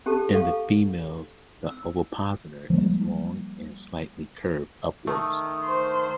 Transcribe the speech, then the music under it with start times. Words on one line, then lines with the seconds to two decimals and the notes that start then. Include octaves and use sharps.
In the females the ovipositor is long and slightly curved upwards.
0.06 C#4 G4 A4 A5
0.33 A4 F5 C#6
1.67 E6
2.70 F3 G3 G#3 A#3
5.07 D#3 A3
5.64 C5 C6